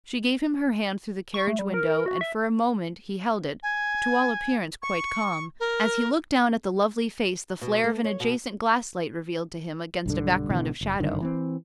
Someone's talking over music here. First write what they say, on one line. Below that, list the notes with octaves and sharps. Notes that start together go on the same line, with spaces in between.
She gave him her hand through the carriage-window, and, for a moment, he held it, to all appearance quite calm, as he looked down at the lovely face the flare of an adjacent gaslight revealed to him against a background of shadow.
C#6
A3
G3
A#4
A#4
F#4
E5
G#5
C#6
A#4
B2
A3
C#5
B2
B1 G2 D3
G#1 B2 D3 E3
F#1
F#1 G2 D3 D#3
E3 B3 C4